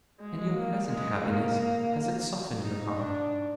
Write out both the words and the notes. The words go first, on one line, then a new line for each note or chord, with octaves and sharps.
"And your present happiness, has it softened your heart?"
G#3
A#3
G#3
A#3
D#4
D4